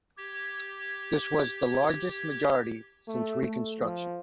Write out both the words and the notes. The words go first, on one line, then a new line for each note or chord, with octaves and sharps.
This was the largest majority since Reconstruction.
G4 G#6
A3
A3
F3